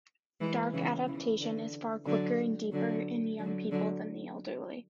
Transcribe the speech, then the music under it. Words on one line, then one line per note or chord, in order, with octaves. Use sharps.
Dark adaptation is far quicker and deeper in young people than the elderly.
E3 G#3
C#3 E3
C#3 E3
D3
D3 F#3
D3 F#3
D3 F#3
D3 F#3